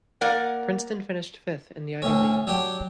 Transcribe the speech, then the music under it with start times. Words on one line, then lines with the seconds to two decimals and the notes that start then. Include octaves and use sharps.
Princeton finished fifth in the Ivy League.
0.21 A#3 A#4 D5 F#5
2.02 D2 A2 C#4
2.47 F#3 D4 G4